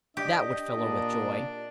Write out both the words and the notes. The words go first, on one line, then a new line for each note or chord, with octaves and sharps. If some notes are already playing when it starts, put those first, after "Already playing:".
"That would fill her with joy."
D4 G4 D#5
A#2 D4